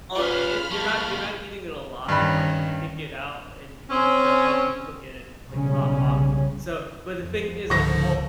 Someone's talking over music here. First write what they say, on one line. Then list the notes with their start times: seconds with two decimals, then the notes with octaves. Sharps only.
Oh, e eh, you're not you're not eating it alive, like, you pick it out and you can they'll help you cook it, it's like hot pot. So but the thing is, like, o
0.16 G3 C#4 F4 B4 B5 F6
0.71 G#3 A#3 A5 C#6
2.08 G2 D#3 C#4 B5
3.90 C4 C#4
5.49 B1 C#3 G3 C#4
7.16 F2
7.70 C#2 G#2 D3 D#3 F3 C#6 A#6